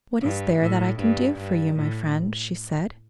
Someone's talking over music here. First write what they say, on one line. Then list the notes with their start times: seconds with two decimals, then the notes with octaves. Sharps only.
"What is there that I can do for you, my friend?" she said.
0.21 G2
0.60 A2
0.98 G2
1.37 G2
1.75 A2